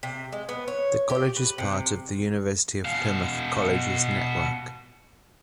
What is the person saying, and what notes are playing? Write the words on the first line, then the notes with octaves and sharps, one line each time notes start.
The college is part of The University of Plymouth Colleges network.
C3
G#3
B3
C#5
G4
B4
C3
B2 F5